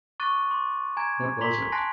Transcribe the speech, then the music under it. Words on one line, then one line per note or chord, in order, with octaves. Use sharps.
What was it?
C#6 D6 F#6 A6 D#7
C6 D6
G#5 A#5 G#6
A#5 C6 B6 F7 G7
G#5 A5 C6 F#6 A#6 C7